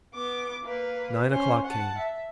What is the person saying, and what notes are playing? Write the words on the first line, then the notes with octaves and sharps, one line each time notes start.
Nine o'clock came.
B3 D6
A#3 B4
C#4 C5
F#5 A5
E5